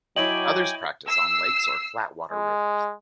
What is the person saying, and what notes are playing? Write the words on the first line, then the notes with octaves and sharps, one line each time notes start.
Others practice on lakes or flatwater rivers.
F#3 E4 C#5 D#5 G5 G#5 D6 F#7
E6 C7
G#3